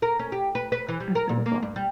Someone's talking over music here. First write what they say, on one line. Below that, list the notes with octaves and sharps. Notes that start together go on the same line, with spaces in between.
That's beautiful.
A#4
C#4
G4
B4
B4
E3
G3
A#4
A#2
A#3
G2
G3